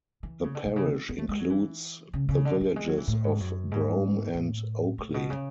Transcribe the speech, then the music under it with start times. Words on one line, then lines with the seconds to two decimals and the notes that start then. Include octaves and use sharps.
The parish includes the villages of Brome and Oakley.
0.23 E3
0.44 C#3
0.55 D3
0.66 B2
0.76 C#3
1.09 B3
1.18 A3
1.29 G#3
1.39 F#3
1.50 E3
2.13 C#3
2.29 C#3
2.45 D3
2.61 F#3
2.76 G#3
2.87 F#3
2.98 E3
3.08 A2
3.24 G#2
3.40 F#2
3.72 G#2
4.35 A2
4.98 A2
5.14 B2
5.30 C#3